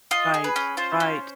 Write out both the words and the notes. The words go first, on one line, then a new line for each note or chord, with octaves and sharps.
Right, right.
F4 D#5
G#4
B4
C#4
F4 C5
C#4